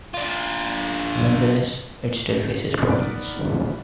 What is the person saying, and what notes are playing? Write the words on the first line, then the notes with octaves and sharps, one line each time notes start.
Nonetheless, it still faces problems.
D4 F4
B3 D#4 A#4 D5